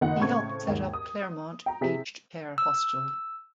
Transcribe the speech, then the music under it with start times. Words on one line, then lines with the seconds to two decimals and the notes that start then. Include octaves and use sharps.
He helped set up 'Claremont' aged care hostel.
0.01 F#1 D#3 D#5 F#5
0.20 A2 C#3 C4 C#6 G#6
0.68 D#2 G#2
0.93 D#6
1.66 G5 A#5
1.81 C3 E4 G4 G#4 B6
2.58 E6